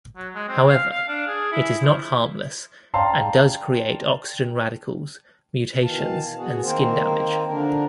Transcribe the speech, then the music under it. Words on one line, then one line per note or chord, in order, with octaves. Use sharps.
However, it is not harmless and does create oxygen radicals, mutations and skin damage.
F#3
G#3
C4
F5
F5
D4
G#4
E4
F3
D5 F5 G5 A5 A#5 C6
B2 D#3 E3 F5 A5
B3 F#4 G#4
D#3 A#3 C4 A#4 C5
D3 F3 D4 A#4